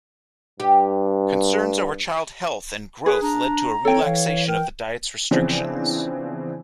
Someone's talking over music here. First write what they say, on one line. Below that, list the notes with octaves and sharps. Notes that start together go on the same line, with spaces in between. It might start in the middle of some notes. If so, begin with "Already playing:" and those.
Concerns over child health and growth led to a relaxation of the diet's restrictions.
G2 G4
G#4 B4
D4 A#5
C4 A4 C#5 G5
E3 F5
A#4 G5
C#3 E3 F3 B3 C4 D4